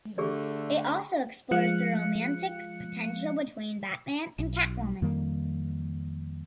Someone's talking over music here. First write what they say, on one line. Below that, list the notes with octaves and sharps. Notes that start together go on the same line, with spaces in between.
It also explores the romantic potential between Batman and Catwoman.
D3 A3 G4 G#4 D5
F3 G#3 F5 F#6 C#7
B1
F2 D#3 G3 A#3